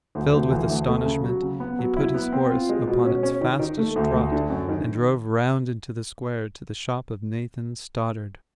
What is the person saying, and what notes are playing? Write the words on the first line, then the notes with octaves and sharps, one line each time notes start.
Filled with astonishment, he put his horse upon its fastest trot, and drove round into the square, to the shop of Nathan Stoddard.
D2
D2
E3
D2
A3
C#3
F#3
C#3
B3
F#3
E4
B3
C4
F4
G#3
B2
C#4
C#4
D#3
D#3
A3
D2
A3
D3
F#2
D#3